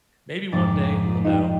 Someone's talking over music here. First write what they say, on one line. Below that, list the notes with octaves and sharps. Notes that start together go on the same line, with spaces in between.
maybe one day we'll know.
F1 G#2 D6 A6
D#4 F4 G4